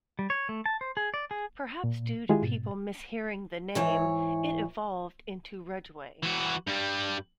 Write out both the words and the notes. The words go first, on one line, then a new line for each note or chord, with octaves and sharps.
Perhaps due to people mishearing the name, it evolved into Rudgeway.
G3
C#5
A3
A5
C5
G#4
D5
G#4
A#2
D#3 G#3 E4 F4 G4 G#4
G#2 B2
G#2 E3 C#5
E3 F#4
G2 G3